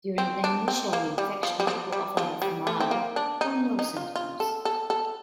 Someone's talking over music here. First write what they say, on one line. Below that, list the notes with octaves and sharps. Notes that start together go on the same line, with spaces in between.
During the initial infection people often have mild or no symptoms.
C4
D4
C4
A#3
G3
F3
G3
F3
G3
F3
G3
A3
C4
A#3
D4
D#4
D#4
F4
F4
A4
A4
A4